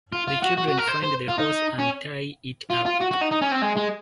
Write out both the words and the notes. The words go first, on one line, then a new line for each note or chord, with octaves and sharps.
The children find the horse and tie it up.
F4
F4
F#4
F#4
F#4
A#4
C5
C5
F4
D#4
C#4
F4
F4
F#4
F#4
D#4
D#4
C#4
C4
G#3
G#3